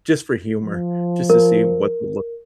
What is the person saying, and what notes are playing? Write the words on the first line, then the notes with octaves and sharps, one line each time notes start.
just for humor, just to see what the look
F3
A#4